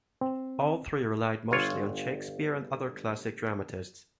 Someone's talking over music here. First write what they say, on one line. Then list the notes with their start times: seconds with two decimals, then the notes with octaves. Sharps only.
All three relied mostly on Shakespeare and other classic dramatists.
0.21 C4
1.51 G1 F4 C#5